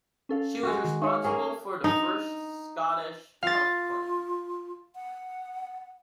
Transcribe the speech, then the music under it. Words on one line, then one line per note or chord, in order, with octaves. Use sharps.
She was responsible for the first Scottish Health Plan.
C#4 A4 F5
G#3 F#4
D#3
D#4 C#5 F5
A#3 C#4 G#4
D#4
F4 F5 A6
F#5